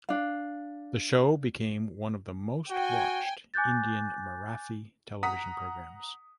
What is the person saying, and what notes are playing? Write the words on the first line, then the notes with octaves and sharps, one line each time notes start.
The show became one of the most watched Indian Marathi television programs.
D4 F5
F#4 G5 G#5
G#5 D6 F#6 G6 A6
F#5 A#5 D#6 B6